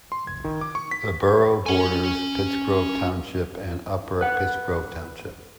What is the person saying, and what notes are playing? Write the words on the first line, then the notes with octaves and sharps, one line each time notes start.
The borough borders Pittsgrove Township and Upper Pittsgrove Township.
C6
G#6
D#3
D6
C#6
B6
C#4 G#5
B4 F#5